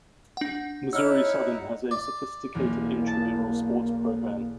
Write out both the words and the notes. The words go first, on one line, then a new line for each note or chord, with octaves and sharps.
Missouri Southern has a sophisticated intramural sports program.
D4 F#5
D#4 E4 C#5 F#5 E6 F6
D5
B1 E2 A#3
A5 A6